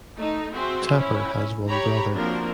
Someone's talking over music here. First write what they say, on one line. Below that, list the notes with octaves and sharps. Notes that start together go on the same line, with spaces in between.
Tapper has one brother.
A3 D#4
C4 F#4 G#4 C5 E5 C6
C#4 E4
G4 C#5 A#5 B5
F3 A#3 C4 D4 F#4 A#4